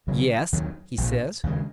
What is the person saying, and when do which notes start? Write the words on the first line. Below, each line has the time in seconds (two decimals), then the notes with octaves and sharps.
"Yes," he says.
0.07 D#2 C#3 F#3
0.52 D#2 D#3 F#3
0.98 A#1 A#2 F3
1.43 D#2 C#3 G#3